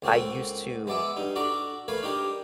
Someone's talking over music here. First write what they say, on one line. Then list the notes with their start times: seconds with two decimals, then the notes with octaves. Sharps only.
I used to
0.02 C#2 A#3 C4 F#4 A4
0.87 G#3 B3 D5 E5
1.17 G2 D#4
1.36 D4 F#4 A4 D5 A#5
1.88 A3 A#3 B4 F5 G#5
2.03 D4 D#4 G4 A#4